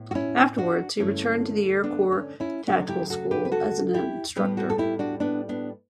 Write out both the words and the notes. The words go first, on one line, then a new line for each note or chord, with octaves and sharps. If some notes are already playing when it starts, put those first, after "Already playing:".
Afterwards, he returned to the Air Corps Tactical School as an instructor.
Already playing: A2 B3
F#4
C#4 E4
D4 F#4
G2 D3 A3 C#4 E4
B3 D4
C#4
C#4 E4
D2 C#3 F#3 A3 D4 F#4
E4 G4
F#4 A4
G4 B4
B4
F#4 A4
E4 G4
A2 G3 B3 G4 B4
F#4 A4
A4
E4 G4
D4 F#4
B3 D4
B3 D4